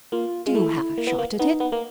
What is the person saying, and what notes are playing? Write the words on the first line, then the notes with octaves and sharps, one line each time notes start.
Do have a shot at it.
A#3 F4
G#3 F4
A3 E4
A#3
B3
A#3
B3 D#4
B3
A#3